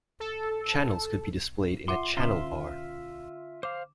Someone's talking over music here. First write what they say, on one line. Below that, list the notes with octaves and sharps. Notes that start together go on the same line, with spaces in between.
Channels could be displayed in a Channel Bar.
A4
F4 E5 F#5 C6
D3 C#4 F4 E5 C6
C5 F5 D6